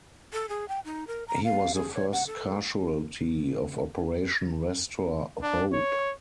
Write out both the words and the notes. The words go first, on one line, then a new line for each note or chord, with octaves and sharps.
He was the first casualty of Operation Restore Hope.
A4
G#4
G5
D#4
A#4
A#5
F5
G#4
C#5
F#5
A4
D4
C#5